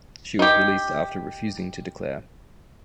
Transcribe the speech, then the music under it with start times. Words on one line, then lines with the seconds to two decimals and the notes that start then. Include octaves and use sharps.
She was released after refusing to declare.
0.39 D#4 G4